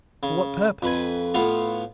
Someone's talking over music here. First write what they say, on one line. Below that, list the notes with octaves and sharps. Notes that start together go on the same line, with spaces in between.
To what purpose?
C#3
F2 B4 G#5
A2 B3 F4